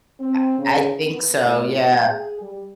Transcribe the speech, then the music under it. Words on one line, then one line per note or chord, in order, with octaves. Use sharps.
I I think so, yeah.
C4
C#3
B3
A2
B3
G#4
G3